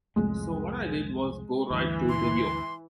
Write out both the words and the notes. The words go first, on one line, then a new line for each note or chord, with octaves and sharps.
So what I did was go right to the 'yoke'.
C2 F2 A2 G#3
D2 G2 E3
C6